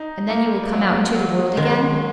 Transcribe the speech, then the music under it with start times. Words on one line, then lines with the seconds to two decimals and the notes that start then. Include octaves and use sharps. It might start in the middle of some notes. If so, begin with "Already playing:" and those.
'And then you will come out into the world again?
Already playing: D#4
0.30 A#3
0.73 F#3
1.14 F#3
1.57 D#3 G#3